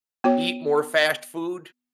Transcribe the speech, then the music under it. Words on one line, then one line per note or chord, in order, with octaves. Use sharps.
eat more fast food,
B3 F#4 C#5